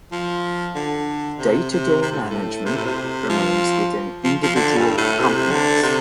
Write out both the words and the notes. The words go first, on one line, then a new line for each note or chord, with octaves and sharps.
Day-to-day management remains within individual companies.
F3
D3
C3
C3
C3
A2
G2
A2
C3
A2
C3
F3
F3
F3
D3
G2
A2
C3
D3
C3